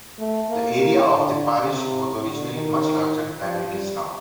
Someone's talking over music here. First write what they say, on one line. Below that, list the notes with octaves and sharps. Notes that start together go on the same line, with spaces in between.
The area of the parish was originally much larger than it is now.
A3
A#3
A#3
D3
C3
D3
D#3
F3
G3